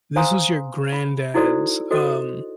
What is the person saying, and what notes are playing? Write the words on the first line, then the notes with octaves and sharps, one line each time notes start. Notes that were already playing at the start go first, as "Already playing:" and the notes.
this was your granddad's, um,
C5 F5 G#5 A#5 C6 D#6
B5
D#4 E4 F#4 A4 C5 D5
F#4 A4 C5 D#5